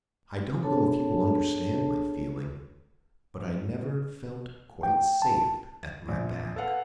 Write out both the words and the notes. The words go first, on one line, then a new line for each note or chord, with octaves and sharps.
I don't know if you will understand my feeling, but I never felt quite safe at my back.
B3 D4 G#4 A4 C#5 A5
G5
A5
A#1
A4 B4 F5 F#5